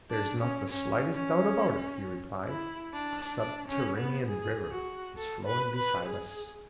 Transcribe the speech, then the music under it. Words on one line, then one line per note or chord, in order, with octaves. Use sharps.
"There's not the slightest doubt about it," he replied, "a subterranean river is flowing beside us."
D4
C#4
C#4
C#4
E4
D4
D4
C#4
B3
G#4
F#4
A4
B4
B4
G#4